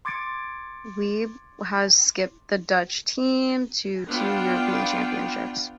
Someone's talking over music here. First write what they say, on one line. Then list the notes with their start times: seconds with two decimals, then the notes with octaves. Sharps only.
Wiebe has skipped the Dutch team to two European championships.
0.05 C6 D6 G#6 A6 C#7 D7
4.08 B3 D4 F4 G5